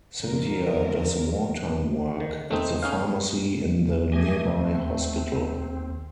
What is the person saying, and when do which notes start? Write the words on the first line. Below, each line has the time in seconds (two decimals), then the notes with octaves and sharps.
Cynthia does war-time work at the pharmacy in the nearby hospital.
0.20 F2 D3 D#3 A#4
2.20 D#3
2.51 A3 C4 D#4
2.83 C#4 D#4 F5
4.12 A3 G4 D#5 G#5
4.48 D#2 C4